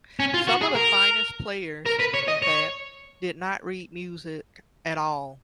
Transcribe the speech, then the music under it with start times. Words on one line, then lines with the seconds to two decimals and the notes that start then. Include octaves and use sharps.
Some of the finest players, in fact, did not read music at all.
0.20 C#4
0.34 F4
0.47 F#4
0.61 G#4
0.75 A#4
1.86 A#4
2.00 B4
2.15 C#5
2.28 D#5
2.42 C#5